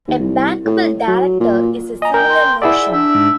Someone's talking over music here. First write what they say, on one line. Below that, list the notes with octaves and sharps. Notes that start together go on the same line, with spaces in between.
A bankable director is a similar notion.
D#2
C2
A2
F#3
A#2
D#5 G#5 A#5
A#4 G5
C6
E4 G#4 D5 E5 F#5
D4 E5
G#2